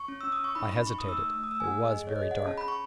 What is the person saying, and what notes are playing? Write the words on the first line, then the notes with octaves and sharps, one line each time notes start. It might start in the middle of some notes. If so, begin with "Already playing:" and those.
I hesitated: it was very dark.
Already playing: C#6
C#4
C#4 E6
D#6
C#4 C#6
D#4 B5
D#4 B5
D#4 C#6
D#6
D#4 E6
A3 E6
A3
D#6
A3 E6
G#5
G#4 F#5
G#4 D#5
G#4
C#5
G#4 D#5
G#4 F#5
C#4 A5
B5
C#4
C#6